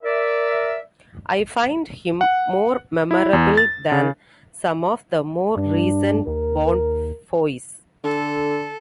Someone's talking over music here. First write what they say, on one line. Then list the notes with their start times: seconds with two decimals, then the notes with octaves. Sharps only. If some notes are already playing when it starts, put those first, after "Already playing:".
I find him more memorable than some of the more recent Bond foes ...
0.03 A#4 D5 E5
2.21 F#5
3.11 E4
3.33 E2
3.57 A6
3.92 C#3
5.57 G2 D4
6.27 D#2 A#4
8.04 D3 A4